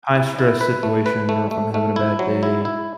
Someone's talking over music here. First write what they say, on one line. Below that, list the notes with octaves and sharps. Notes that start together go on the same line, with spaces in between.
high-stress situation, or if I'm having a bad day,
E4
E4
B4
A3
B4
A3
A3
A3
E4
F#3
E4
E4